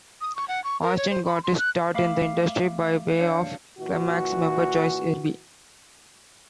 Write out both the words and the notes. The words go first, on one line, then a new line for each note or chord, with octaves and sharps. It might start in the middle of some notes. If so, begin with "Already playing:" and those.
Austin got his start in the industry by way of Klymaxx member Joyce Irby.
D#6
C#6
F#5
C#6
A#4
C#5
C5
B5
C6
F#6
A3 E5 F5 B5 D6
D4 C#5 F5 C#7
A#2 E3 F#4